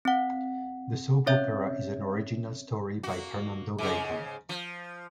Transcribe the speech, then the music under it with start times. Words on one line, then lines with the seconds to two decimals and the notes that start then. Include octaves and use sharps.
The soap opera is an original story by Fernando Gaitan.
0.05 C4 F#5
1.26 C4 C#4 C#5 E5 G6
3.03 A#3 F#4
3.79 G#2 C#3
4.49 F3